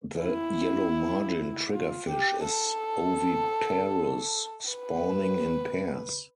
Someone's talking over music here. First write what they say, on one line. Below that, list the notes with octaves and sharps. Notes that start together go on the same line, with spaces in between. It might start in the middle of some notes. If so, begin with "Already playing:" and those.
The yellowmargin triggerfish is oviparous, spawning in pairs.
E4
F4
G4
A4
B4